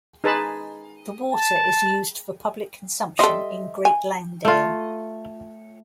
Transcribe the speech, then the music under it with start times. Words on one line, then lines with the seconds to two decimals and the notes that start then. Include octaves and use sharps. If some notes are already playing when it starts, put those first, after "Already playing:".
The water is used for public consumption in Great Langdale.
0.24 D#4 G#4 B4 A5 B5 C6
1.32 A5
3.19 G3 A4 D#5 E5 C6
3.85 G#5
4.45 A3 F4